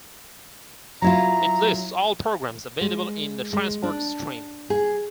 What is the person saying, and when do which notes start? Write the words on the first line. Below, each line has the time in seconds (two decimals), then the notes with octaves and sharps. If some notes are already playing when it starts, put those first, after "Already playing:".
It lists all programs available in the transport stream.
1.02 F#3 E4 F4 A#5
2.81 G#3
3.53 G#3
3.83 D4
4.70 G#4